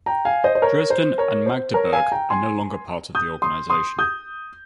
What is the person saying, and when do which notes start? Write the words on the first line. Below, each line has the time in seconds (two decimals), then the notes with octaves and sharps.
Dresden and Magdeburg are no longer part of the organization.
0.06 G5 A#5
0.25 F5 G#5
0.44 C5 D#5
0.55 C5
0.62 A#4 C#5
0.90 C5
1.18 A#4 C#5
1.46 C5
1.74 A#4 C#5
1.92 F5 G#5
2.12 G5 A#5
2.30 G#5 C6
3.15 D#6 G6
3.42 C6 D#6
3.70 C6 D#6
3.99 D#6 G6